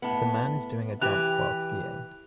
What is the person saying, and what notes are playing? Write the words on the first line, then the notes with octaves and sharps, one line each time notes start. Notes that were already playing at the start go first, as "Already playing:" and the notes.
The man is doing a jump while skiing.
A2 B3
E3 G4 F#6 F7